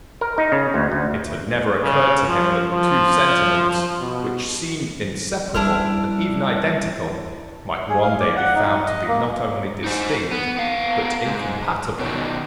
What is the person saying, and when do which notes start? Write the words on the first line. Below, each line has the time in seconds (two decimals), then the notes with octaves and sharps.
It had never occurred to him that the two sentiments, which seemed inseparable and even identical, might one day be found to be not only distinct but incompatible.
0.21 A#4
0.38 D#4
0.52 C#3
0.74 D2
0.92 D2
1.83 C#3
2.27 F3
2.71 F3
4.00 B2
5.54 G3 C#4 D4 E4 F6
7.89 G#4
8.02 F5
8.20 D5
8.37 F#5
8.55 D#4
8.86 D#5
9.08 A#3
9.84 D#4 C5
10.31 B3
10.56 B3 F5
11.25 G#2
11.99 B2 D#3